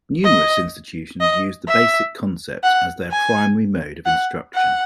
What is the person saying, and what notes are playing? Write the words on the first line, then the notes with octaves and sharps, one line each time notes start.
Numerous institutions use the basic concept as their primary mode of instruction.
D#5
D#5
E5
F#5
G#5
F#5
F#5